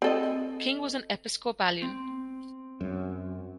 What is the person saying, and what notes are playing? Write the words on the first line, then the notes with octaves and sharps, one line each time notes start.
King was an Episcopalian.
C4 A4 D#5
C4
F#2